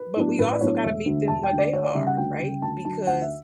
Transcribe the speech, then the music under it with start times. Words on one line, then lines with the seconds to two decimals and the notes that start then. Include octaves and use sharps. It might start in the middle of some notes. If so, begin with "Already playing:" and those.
But we also gotta meet them where they are, right? Because
Already playing: B4
0.16 A2 F#3 B3 D4
0.38 A1 B4
0.53 D5
0.61 A2 F#3 B3 D4 C#5
0.84 E1 E5
1.06 D2 D3
1.28 E1 A5
1.43 G5
1.51 D2 D3
1.58 D5
1.73 D2 C#5
1.84 D5
1.95 C#3 G3 E5
2.07 F#5
2.17 D2 G5
2.39 C#3 G3
2.62 D2 A5
2.85 D3 F#3 A5
3.07 D2 F#5
3.22 E5